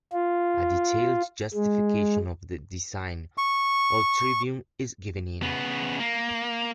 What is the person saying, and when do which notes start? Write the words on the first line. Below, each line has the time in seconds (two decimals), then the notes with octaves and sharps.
A detailed justification of the design of Trivium is given in.
0.12 F4
1.54 G#3
3.38 C#6
5.43 C#3 B3
5.99 A#3